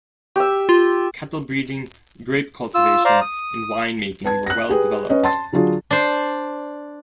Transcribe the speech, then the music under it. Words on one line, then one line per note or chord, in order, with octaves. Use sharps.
Cattle-breeding, grape cultivation and wine making were well-developed.
G4 E5
F4
F4 E6
C5 D5 F5 A#5
D#6
B4 A5 G#6
F#6 A#6
G4 G#4 B4
C#4 B4 C#5 D#5
A5 C6 A6
D3 F#3 D4 F4 G#4
D4 C5